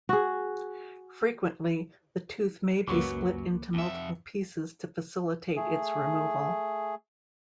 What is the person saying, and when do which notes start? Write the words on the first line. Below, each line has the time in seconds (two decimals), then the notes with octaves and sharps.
Frequently, the tooth may be split into multiple pieces to facilitate its removal.
0.09 F#4 G#4
2.88 C#2 F#2 F#3 A#3 B4 C#6 D6
3.74 F2 E5
5.56 A3 G#4